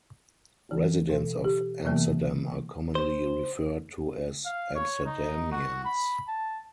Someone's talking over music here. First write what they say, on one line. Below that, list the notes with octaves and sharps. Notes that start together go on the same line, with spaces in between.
Residents of Amsterdam are commonly referred to as Amsterdamians.
E3
B2
G4
C3 E3 F#3 A#3 B3
C5
F5
C#5
D#4
F#4
B5
A5